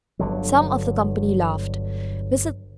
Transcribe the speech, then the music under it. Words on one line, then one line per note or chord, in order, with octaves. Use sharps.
Some of the company laughed--Mrs.
G1 D3 F#3